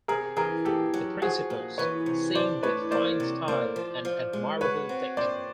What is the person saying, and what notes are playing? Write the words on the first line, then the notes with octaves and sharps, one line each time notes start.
The principals sing with fine style and admirable diction.
C3 G#4 A#4
E3 G#4 A#4
A#2 G4 A4
F#3
F3 F#4 G#4
A#2
E3 B4 C#5
C3
D4 C5 D5
A2 B4 C#5
A#3 C5 D5
C3
A#3 C5 D5
F3
F3
G#3
F#4 B4 C#5
C4
A#2 C5 D5